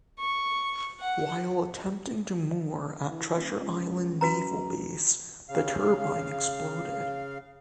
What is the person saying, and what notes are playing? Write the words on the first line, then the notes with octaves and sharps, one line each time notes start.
While attempting to moor at Treasure Island Naval Base, the turbine exploded.
C#6
F#5
E3
D#1
C#2
F#2 F#4 B4 A#5
C#3 F5